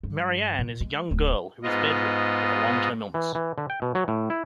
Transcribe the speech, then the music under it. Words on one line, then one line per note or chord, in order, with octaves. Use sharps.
Marianne is a young girl who is bedridden with a long-term illness.
G2
A#2
G#3
D1
G#2 B3 F4 D#5
E3
E3
D3
G5
B2
F#3
A2
E4